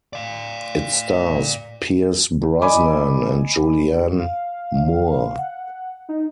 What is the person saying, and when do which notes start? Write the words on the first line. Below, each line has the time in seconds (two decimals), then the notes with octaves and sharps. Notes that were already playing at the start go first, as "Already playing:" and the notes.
It stars Pierce Brosnan and Julianne Moore.
0.13 D5 F5
2.62 D5 D#5 G#5 B5 D6
4.19 F5
4.88 F5
5.38 F#5
6.09 D#4